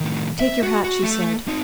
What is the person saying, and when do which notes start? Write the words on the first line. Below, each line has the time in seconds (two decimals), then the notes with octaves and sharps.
"Take your hat," she said.
0.01 A2 D#3
0.40 E5
0.63 F#4
0.84 F#4
1.03 A3 A4
1.47 C4 D#4